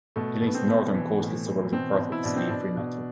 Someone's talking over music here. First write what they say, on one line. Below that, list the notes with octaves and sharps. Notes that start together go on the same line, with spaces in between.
It links the northern coastal suburbs of Perth with the city of Fremantle.
B2 A3
B2 B3
C4
B2
E3
A2
E3
B2 C4
B2
E4
B2 D4
C4
B2 D4
B2